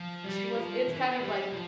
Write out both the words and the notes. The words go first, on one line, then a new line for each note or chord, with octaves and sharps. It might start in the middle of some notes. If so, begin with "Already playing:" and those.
She was it's kind of like
Already playing: F3
G3
F3
E3
G3
F3